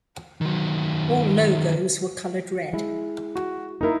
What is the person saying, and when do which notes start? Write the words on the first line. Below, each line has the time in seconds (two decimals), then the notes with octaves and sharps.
All logos were colored red.
0.41 D#3 F#3
2.73 G#3 E4
3.36 F#4
3.81 A#3 D#4 E4 A#4